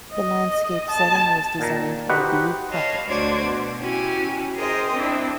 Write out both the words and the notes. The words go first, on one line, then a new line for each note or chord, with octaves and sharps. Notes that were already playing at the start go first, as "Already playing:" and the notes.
The landscape setting was designed by B. Hackett.
D#5
A5
A#2 D#3 A#5
D#4 F#4 G4 B4 C5 F#5
C#5 D#5 F5 A5 B5
D2 D4 F#4 C5 D5 G#6
B2
C#4 E4 F#4 G4 G#5
G#4 A#4 C5 D#5 G5
C4 D4 E4